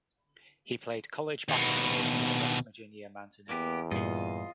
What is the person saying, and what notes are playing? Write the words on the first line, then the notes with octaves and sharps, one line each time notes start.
He played college basketball for the West Virginia Mountaineers.
D#2 B2
E2 A#3 B3 G4
G2 A#2 F4 D#5